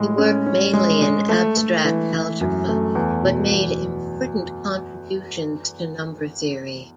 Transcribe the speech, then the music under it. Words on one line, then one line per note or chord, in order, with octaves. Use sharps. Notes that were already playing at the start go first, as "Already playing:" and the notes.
He worked mainly in abstract algebra, but made important contributions to number theory.
Already playing: A2 G#3
C#4
C#4
G#3
G#3
A3
A3
E3
E3
F#2
A3
E2
B2
E2